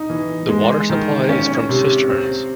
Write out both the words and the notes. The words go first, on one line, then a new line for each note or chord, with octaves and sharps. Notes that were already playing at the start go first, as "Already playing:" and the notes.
The water-supply is from cisterns.
Already playing: D#4
E3
G#3
D#3
C#4
C3
C4